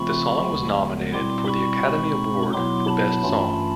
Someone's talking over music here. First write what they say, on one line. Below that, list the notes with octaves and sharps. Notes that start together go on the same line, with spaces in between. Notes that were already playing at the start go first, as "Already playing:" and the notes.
The song was nominated for the Academy Award for Best Song.
Already playing: C#3 F3 A3 C4 F4 B5 C#6
D2 C#3 F3 G#3 B3
B2 G3 C4 E4 C6 D6
B5 C#6
B2 G#3 C4 D#4
B2 F#3 B3 E4 C6 D6
A5 B5
G2 E3 A3 C#4 F4